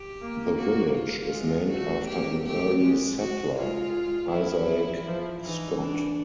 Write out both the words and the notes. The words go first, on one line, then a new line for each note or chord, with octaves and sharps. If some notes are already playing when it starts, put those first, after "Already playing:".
The village is named after an early settler, Isaac Scott.
Already playing: G4
A#3
F#4
F4
G#3
A3 F#4
A#3 G4
A3 G4
G#3
F#4
G#3 F4
F3 E4
F3
E3 D#4
D4